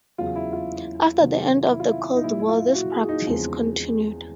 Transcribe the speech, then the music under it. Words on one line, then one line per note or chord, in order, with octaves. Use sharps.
After the end of the Cold War this practice continued.
E2 C#3 F#3 F4
E4
F4
C3 D#3 F#3 B3
E4
F4
E4
D#4
A#2 F#3 A#3 E4
E4
F4
F#4
G#4
D#4
E2 C#3 F3 G#3 C4